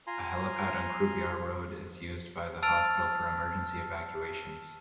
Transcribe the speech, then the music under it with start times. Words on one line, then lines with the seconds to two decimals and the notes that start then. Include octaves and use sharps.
A helipad on Croobyar Road is used by the hospital for emergency evacuations.
0.07 F4 G#5 A#5 C6
2.62 A5 E6 F6 A6 D7 F7